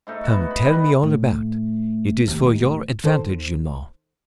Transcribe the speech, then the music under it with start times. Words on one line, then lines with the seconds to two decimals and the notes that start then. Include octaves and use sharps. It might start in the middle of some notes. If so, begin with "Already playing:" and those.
Come, tell me all about--it is for your advantage, you know.
0.07 G#2 A3 D#4
0.24 B3 F#4
0.51 B5
0.65 G3 B3 B4 D#5
1.03 A2
2.28 D#2 A2
3.04 D#3 A4 C5